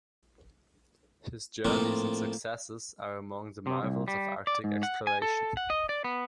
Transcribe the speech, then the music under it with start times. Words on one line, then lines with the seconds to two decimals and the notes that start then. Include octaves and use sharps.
His journeys and successes are among the marvels of Arctic exploration.
1.65 A2 F3 A#3 C4
3.67 C3
3.83 C2
4.08 G3
4.47 D5
4.64 G#2
4.83 F#5
5.07 G#5
5.22 A4
5.57 F#5
5.70 D#5
5.89 D5
6.04 B3